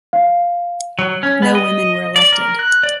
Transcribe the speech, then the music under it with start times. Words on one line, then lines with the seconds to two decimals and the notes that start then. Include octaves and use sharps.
No women were elected.
0.13 F5
0.99 F#3
1.23 C#4
1.42 B3
1.55 D#5
2.16 D5
2.32 A#4
2.59 F#6
2.83 D5